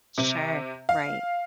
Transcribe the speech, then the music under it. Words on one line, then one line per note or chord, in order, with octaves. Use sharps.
Sure, right.
C3
F5